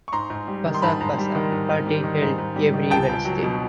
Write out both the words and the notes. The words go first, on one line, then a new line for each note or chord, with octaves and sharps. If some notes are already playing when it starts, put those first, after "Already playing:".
Passa Passa party held every Wednesday.
C#6
G#2 A#5 C6
G#2
G3
D#3
C6
G#2 A5 B5
G#2
G3
D#3
G#2
G#2
G3
D#3
G#2
G#2
G3
D#3
C#2 G5 A5
C#2
F#3
B2